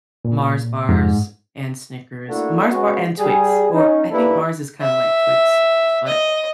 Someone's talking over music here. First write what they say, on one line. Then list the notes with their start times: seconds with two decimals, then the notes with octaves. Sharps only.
Mars bars and Snickers. Mars bar and Twix. Or I think Mars is kinda like Twix, but
0.25 A#2
0.89 F2 G#2
2.28 A3 A#3 D4 E4 F#4 A4
2.70 G#3 B3 C#4 F#4
3.19 G3 G#4
3.72 C#4 D#4
4.11 A#3 D4 E4 G4 A4 B4
4.81 E5
6.07 D#5